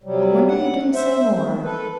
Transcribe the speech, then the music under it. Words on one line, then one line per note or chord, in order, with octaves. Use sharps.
"I wonder you didn't say more."
C3 F#3 G3
F#5
C5 E5
D#3
A4 B4